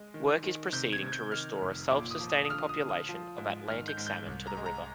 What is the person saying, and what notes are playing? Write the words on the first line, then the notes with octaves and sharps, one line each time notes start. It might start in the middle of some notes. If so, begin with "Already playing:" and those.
Work is proceeding to restore a self-sustaining population of Atlantic salmon to the river.
Already playing: G#3
D#3
D#3
C3 G6
G#6
C3
G6
D#3 F6
F1
A#2 D6
D#6
F3
D#6
D#6
D3 F6
D#6
D3
D#6
F3
G#2
D#3 F6
G6
G#2
G6
C2
A#5
G#3
A#5